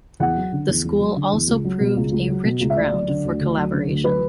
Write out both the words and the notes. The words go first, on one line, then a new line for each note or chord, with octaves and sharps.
The School also proved a rich ground for collaboration.
E2 F#5
F#3
D3
E2
E2
F#3
D3
E2
C#2
F#3
B2
C#2
C#2
F#3
B2
C#2
E5
D2 D5
F#3
D3
D2
D2
F#3
D3
D2
F#3 B4